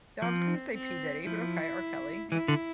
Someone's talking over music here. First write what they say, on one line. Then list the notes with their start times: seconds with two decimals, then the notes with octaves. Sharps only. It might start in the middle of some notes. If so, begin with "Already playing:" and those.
I was gonna say P Diddy, but okay, R. Kelly.
0.22 F3 C4
0.75 C4
1.27 F3 E4
2.31 E3 E4
2.48 D3